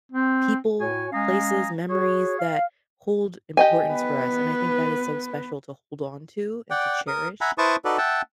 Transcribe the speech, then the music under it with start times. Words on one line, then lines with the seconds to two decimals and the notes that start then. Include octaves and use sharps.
people, places, memories that hold importance for us, and I think that is so special to hold onto and to cherish.
0.12 C4
0.80 A2 F#4 C#5 G#5
1.12 G#3 C#4 F5 G#5 A#5 D#6
1.90 F#4 G#4 C#5
2.40 F5
3.57 G4 D#5 G#5
3.88 B3 B4
6.71 D5 F#5 G5
7.08 A#4 D#6
7.41 E5 F#5 G#5 A#5 B5
7.58 E4 B4 C5 A5 C#6 D#6
7.85 D#4 F#4 A4 B4 D5
7.98 E5 F#5 G5 A5